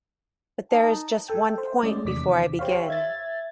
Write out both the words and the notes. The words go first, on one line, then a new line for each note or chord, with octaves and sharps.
But there is just one point before I begin.
D#4 A5
A4 G5
C5
G#3 A3 C#4 G#4 D5 D#5
E2 C3 D#3 D6 B6
G4 C5 C#5 F5
E5 G#6 A6